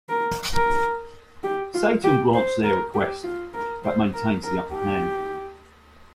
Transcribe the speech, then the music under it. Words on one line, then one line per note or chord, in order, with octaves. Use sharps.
Satan grants their request but maintains the upper hand.
A#4
A#4
G4
F4
G4
C5
A#4
G4
F4
A#4
C5
A#4
A#4
G4